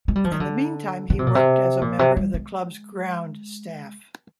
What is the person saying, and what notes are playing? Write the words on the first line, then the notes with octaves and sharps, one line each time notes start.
In the meantime, he worked as a member of the club's ground staff.
G#3
G3
F3
D#3
D3
D3
C3
A#2
C3
A#2
C3
G3
G#3